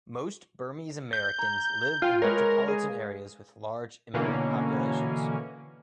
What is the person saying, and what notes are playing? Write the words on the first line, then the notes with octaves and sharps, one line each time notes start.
Most Burmese Americans live in metropolitan areas with large immigrant populations.
G6
A#5
F4 F5 G5
G#3 A#4 B4 C#5
G#4
B2 D3 E3 A#3 C#4